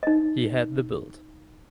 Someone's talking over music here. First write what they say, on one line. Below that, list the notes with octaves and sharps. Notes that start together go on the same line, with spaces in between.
He had the built.
D#4 D#5